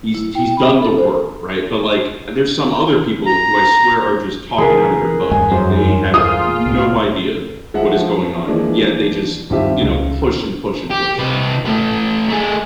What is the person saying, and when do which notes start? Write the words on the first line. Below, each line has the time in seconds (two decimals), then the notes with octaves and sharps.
he's he's done the work, right? But, like, eh, there's some other people who I swear are just talking out of their butt, like, they have no idea what is going on, yet they just, you know, push and push and push.
0.14 E4
0.35 G5
0.57 B5
0.82 A4
0.98 C5
3.26 A#5
4.58 C#3 E3 G#4 A#4 B4
5.31 E2 G2 G#3 G#5
5.52 F#2 C5
6.14 F4 D#6
6.66 C2 A2
7.74 F3 G#3 E5 F#5
7.96 F3
8.47 E3 F3 G#3 A#3 D4
9.50 G#1 G2 C4 F4 G4 E5
9.81 C#2
10.91 G4
11.19 C3 B4
11.66 A3 B4
12.29 A3 G#4